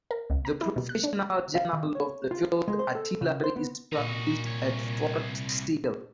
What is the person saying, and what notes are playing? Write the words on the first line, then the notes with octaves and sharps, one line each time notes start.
The professional journal of the Field Artillery is published at Fort Sill.
A#4
C#2
A#5
E4
B2
F#6
D4
F5
D#3
C#5
F4
G#3
C5
A4
C#3
C5
B3
A#2 D#4 F#4
C2 C#5